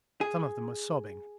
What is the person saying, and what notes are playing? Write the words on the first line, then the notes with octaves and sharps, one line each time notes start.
Some of them were sobbing.
G#4